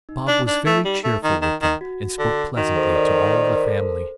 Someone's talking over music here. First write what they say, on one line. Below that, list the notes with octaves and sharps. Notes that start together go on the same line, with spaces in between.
Bob was very cheerful with them, and spoke pleasantly to all the family.
D#4
D4
D4
A3
G3
A3
D#3
D#3
D#3
F#4
D3
D#3 F#4
A4 C5
A#4 D5
A4 C5
D5
C5
A#4
A4 C5